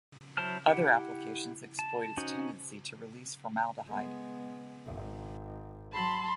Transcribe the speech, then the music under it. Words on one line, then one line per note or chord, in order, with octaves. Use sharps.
Other applications exploit its tendency to release formaldehyde.
F#3 E4 C5 A5 F6
E4 G4 F#5
A5
C#4 D#4 F#4 C5
G#3 B3
G#1
F#3 A5 B5 C6